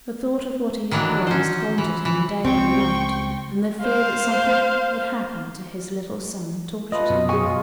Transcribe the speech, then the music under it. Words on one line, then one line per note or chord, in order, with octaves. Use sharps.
The thought of what he had promised haunted him day and night, and the fear that something would happen to his little son tortured him.
D#3 E3 F#3 D4
C#4 C5
E3
E3
C#2 C4 G5 C#6
C5 F5
A3 F4 B4 D#5
F#2 B2
A2 G#4 G#5 C#6
F#3 G#3 F4